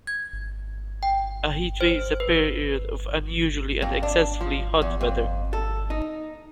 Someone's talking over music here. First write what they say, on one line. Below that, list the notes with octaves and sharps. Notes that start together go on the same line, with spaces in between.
A heat wave is a period of unusually and excessively hot weather.
G#6
G5
C5
B4
F2
D4
F3
E2
F2
A4
D#4